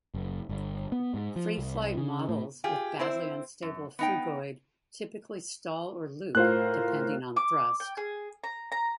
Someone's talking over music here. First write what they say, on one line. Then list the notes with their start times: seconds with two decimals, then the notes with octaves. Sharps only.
Free flight models with badly unstable phugoid typically stall or loop, depending on thrust.
0.14 F#1
0.49 G1
0.92 B3
1.14 G#2
1.36 F3
1.58 C2
1.97 C#3
2.29 A2
2.64 F4 G4 G#4
2.99 C4 E4 C5
3.62 F#2
3.99 B3 D#4 G5
6.35 A2 F4 A#4 C5 F#6
7.36 D6
7.80 G5
7.97 G#4
8.44 A#5
8.72 A#5